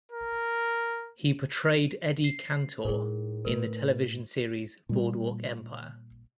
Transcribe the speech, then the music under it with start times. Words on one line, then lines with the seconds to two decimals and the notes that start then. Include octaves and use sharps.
He portrayed Eddie Cantor in the television series "Boardwalk Empire".
0.12 A#4
2.24 C7
2.85 A2 G#3 D#4 G#4 A#4
3.45 E3 A3 A#4 B4
4.89 A#2 G3